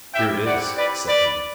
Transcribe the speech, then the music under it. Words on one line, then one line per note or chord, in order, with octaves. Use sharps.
"Here it is," said he.
C4 E4 G4 E5 G5
D5 F#5
B4 D5
B4 D5